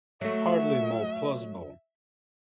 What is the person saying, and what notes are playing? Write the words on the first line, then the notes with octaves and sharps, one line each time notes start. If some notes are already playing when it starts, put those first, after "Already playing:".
Hardly more plausible.
F#3 A3 E5